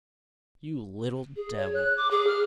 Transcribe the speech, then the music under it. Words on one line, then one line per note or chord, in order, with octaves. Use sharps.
"You little devil!"
G#4
C#5
F#6
D6
G#4
F6